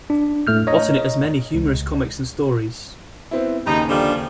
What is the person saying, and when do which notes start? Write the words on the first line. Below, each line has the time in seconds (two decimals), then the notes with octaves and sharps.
Often it has many humorous comics and stories.
0.10 D4
0.47 A2 A3 F6 G6
0.67 C#5 D#5 A#5
1.54 C#2
3.31 B3 C4 E4
3.67 D#2 C#3 G3 D#4
3.89 D3 F3 G3